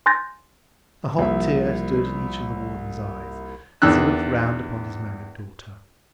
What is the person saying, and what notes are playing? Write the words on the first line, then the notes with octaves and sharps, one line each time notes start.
A hot tear stood in each of the warden's eyes as he looked round upon his married daughter.
G#5 C6 F#6 G6 A6 A#6
C2 F3 A#3 E5
E2 D#3 D4 E6 F#6